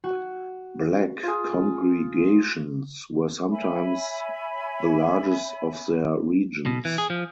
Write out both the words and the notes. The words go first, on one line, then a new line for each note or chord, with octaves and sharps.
Black congregations were sometimes the largest of their regions.
F#4
F4 G#4
C#5 E5 G#5 B5
B2
E3
G#4
F3